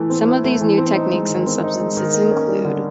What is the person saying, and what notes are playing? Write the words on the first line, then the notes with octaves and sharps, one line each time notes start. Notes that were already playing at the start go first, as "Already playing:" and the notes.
Some of these new techniques and substances include.
Already playing: E3 A3 E4
C4
E4
A3
E3
C4
D#4
G#3
D#3
C4
D#4
G#3
D#3
A#3
C#4
G3
D3